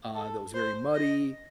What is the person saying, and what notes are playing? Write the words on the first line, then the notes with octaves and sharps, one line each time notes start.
uh, that was very muddy
A4
C5
D#5